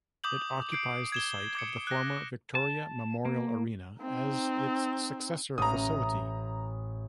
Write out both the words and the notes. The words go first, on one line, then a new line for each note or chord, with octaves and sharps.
It occupies the site of the former Victoria Memorial Arena as its successor facility.
D6 D#6 G6 F#7
G6 C7 D7
G#6 E7 G7
D6 G#6 C#7
F#6 A#6
A5
A#3
C4 D#4
A1 A#5 D#6